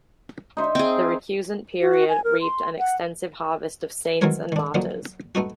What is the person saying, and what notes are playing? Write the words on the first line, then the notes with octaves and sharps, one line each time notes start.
The recusant period reaped an extensive harvest of saints and martyrs.
D#4 C5 E5
C4 G#4
F#4
G#5
A#4
C6
F#5
D#3 E3 F#3 C4 A#4 C#5
D#3 D4
D3 F3 F#3 A#3 D#4
A3 B3 D#4 F#4